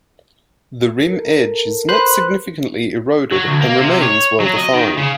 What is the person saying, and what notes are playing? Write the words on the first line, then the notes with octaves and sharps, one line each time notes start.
The rim edge is not significantly eroded and remains well-defined.
A4 A#4
B4 C5 F#6
F#3
D2
A#3
C3
C#5
F#3
D#5
D#3
C#3